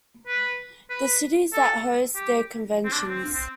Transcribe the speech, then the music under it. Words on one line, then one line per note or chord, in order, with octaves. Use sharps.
The cities that host their conventions.
B4
B4
A4
G4
C4
D4
C4
C4